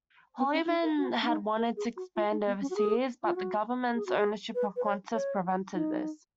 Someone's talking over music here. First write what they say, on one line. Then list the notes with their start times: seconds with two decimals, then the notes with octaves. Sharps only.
Holyman had wanted to expand overseas but the government's ownership of Qantas prevented this.
0.38 B3
0.53 C#4
0.68 D#4
0.83 A#4
0.97 F#4
1.22 C#4
1.27 D#4
1.57 A#4
1.77 G#4
1.97 F#4
2.16 F4
2.31 D#4
2.46 B3
2.61 C#4
2.70 F#4
2.76 G#4
3.24 F4
3.36 F#4
3.95 G#4
4.06 F#4
4.17 G#4
4.55 B4
4.76 B4
4.85 C#5
5.14 C#5
5.74 D#4